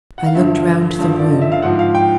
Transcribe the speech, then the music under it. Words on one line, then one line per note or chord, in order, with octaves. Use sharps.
I looked round the room.
F#5
F5
G2 D3 F3 E5
G2 D3 F3
D5
D#5
E5
F5
G#2 F3 F#5
F5
G5